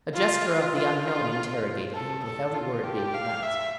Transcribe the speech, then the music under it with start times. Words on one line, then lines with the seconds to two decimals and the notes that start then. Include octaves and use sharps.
A gesture of the unknown interrogated him, without a word being pronounced.
0.14 F4
0.75 F4
1.05 F4
1.94 A4
2.24 A4
2.54 F4
2.84 G4
3.14 F5
3.43 E5